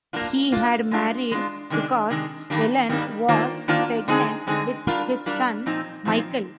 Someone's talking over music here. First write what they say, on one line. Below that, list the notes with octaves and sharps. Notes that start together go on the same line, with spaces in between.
He had married because Ellen was pregnant with his son, Michael.
A#3 D4 F4
A#3 D4 F4
G#3 D4 F4
G#3 D4 F4
C3 D#3 G#3 D4
C3 D#3 G#3 D4
G2 D#3 G3 A#3 D4
G2 D#3 G3 A#3 D4
D#3 A#3 D4 F4 C5
D#3 A#3 D4 F4 C5
D3 G#3 C4 D#4 G#4
D3 G#3 C4 D#4 G#4
G3 D4 F4 A#4
G3 D4 F4 A#4
A#2 F3 C4 D#4
A#2 F3 C4 D#4